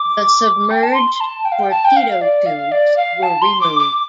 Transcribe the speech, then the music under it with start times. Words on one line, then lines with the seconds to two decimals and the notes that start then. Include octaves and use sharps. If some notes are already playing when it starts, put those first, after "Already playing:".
The submerged torpedo tubes were removed.
Already playing: D6
0.71 G5
0.83 A5
0.94 C6
1.14 C6
1.20 A5
1.45 G5
1.52 F5
1.59 G5
1.71 A5
1.85 G5
1.96 F5
2.21 D5
2.46 F5
2.72 D5
2.97 F5
3.23 A5
3.42 C6
3.61 D6
3.80 D6